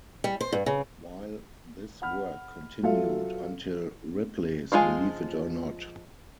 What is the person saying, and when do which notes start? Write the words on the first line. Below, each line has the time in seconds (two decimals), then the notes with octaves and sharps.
While this work continued until Ripley's Believe It or Not!
0.24 G3
0.41 C5
0.53 G2
0.66 C#3
2.02 F#5 B5 F6
2.83 F#3 F4 A4 E5 F5
4.72 F3 G#3 F4 G#5